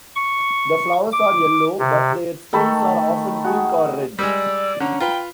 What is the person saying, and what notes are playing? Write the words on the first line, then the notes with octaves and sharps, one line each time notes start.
The flowers are yellow, but their stems are often pink or red.
C#6
D6
C3
D#3 A3 A4 B5
F#4 G#4
G3 G#3 D5 E6
D3 C#4 A#5
F4 B4 G5